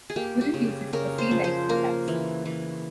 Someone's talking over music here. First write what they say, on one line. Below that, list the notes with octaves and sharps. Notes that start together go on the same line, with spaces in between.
Squirrel uses a C-like syntax.
G#4
A#3 G4
G4
C#3
C#3 A#4
C5
F3
C5
A#3 A#4
E3
E3